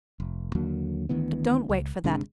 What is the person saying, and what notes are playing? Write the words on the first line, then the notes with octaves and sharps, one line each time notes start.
But don't wait for that.
F1
D#2 D3 F#3 A#3
D2 D#3 E3 B3
C#2
G1 C3 G#3 D4